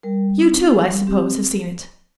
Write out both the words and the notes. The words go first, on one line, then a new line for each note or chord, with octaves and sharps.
"You too, I suppose, have seen it?"
G3 A#4
C4 D#4
G3 A4
C4 G4